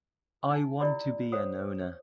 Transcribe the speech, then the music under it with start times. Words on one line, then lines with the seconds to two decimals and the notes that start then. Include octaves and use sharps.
I want to be an owner.
0.49 D#4 G#5
0.80 E4 G4 A#4 D5 D#5 B5
1.32 C5 C#5 F#5 D#6